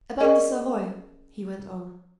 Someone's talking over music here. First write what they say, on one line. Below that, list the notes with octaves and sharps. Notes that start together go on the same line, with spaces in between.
"About the Savoy," he went on.
C#4 G#4 A#4 D5 D#5